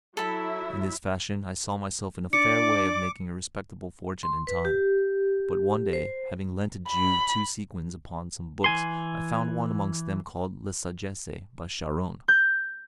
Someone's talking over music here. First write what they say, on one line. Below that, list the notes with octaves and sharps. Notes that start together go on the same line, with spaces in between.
In this fashion I saw myself in a fair way of making a respectable fortune in time; but one, day, having lent a Jew two sequins upon some books, I found one amongst them called 'La Sagesse,' by Charron.
F#3 E4 A4 E5 B5
D4 D5 D6 C#7
C6
B4
G4
C5
B5
E3 G#5 C6
G6